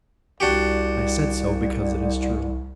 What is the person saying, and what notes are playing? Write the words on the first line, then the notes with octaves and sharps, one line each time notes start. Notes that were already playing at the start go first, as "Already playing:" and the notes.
"I said so, because it is true."
C2 D4 F#4 G4